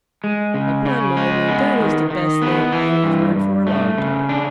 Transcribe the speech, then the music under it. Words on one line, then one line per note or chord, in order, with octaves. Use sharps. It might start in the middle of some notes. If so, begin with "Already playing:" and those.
Upon my word that is the best thing I have heard for a long time.
G#3
C#3
C#3
G#3
B3
D#3
D#3
B3
E3
G2
G2
A3
C#3
D4